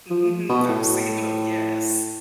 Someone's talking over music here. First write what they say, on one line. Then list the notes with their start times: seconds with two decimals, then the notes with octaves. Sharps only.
Mhm, I've seen them, yes.
0.10 F3
0.49 B2
0.69 A2